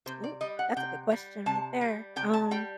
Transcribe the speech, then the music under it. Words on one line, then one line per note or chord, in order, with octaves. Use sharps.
Ooh, that's a good question right there, um,
C3 C5
D5
G3 D#5
F#5
C3 G5
G3
C3 A5
G3
C3 G5
A5
G3 G5